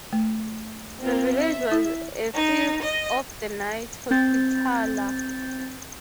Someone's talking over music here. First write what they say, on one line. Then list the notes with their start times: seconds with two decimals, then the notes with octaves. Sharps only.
The village was a fief of the Knights Hospitaller.
0.13 A3
1.01 C4 F4 A#4
1.35 E5
1.72 E4
2.34 D#4
2.81 D#5
4.11 C4 G6 A6